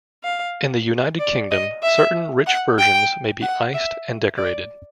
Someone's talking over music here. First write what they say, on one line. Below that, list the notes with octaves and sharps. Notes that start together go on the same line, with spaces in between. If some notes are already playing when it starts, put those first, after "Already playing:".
In the United Kingdom, certain rich versions may be iced and decorated.
F5
D5
D#5
E5
F#5
G5
F#5
E5
D5